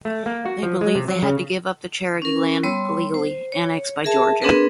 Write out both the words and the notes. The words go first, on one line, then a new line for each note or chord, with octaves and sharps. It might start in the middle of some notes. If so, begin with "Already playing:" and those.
They believed they had to give up the Cherokee land illegally annexed by Georgia.
A3
A#3
F#4
F3
G#3
C3
F#3
C#3
C#4 A#4
G3 B3 C#5 C6 E6
C5
C#5
G#4 A#4 E5 A5
B3 C4 D4 G#4 A#4 B4